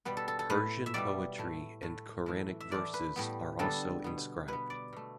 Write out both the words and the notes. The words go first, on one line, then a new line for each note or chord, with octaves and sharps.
Persian poetry and Quranic verses are also inscribed.
B2 G3 B3 B4
A4
A4
A4
A2 A3 B4
E5
B2 G3 B3 D5
A2 A3
A2 A3
A2 E3 A3
E5
A2 E3 A3 D5
B4
A2 G3 B3
D3 G3 B3 A4
B2 B3
B2 B3 B4
D5
B2 A3